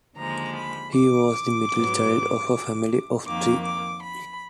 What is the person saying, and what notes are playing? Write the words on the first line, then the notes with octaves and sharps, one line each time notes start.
He was the middle child of a family of three.
D#2 D3 F3 G#3 A#5
B5
D6
G#2 F#3 B3
F2 D#3 A#3 D6
D6
B5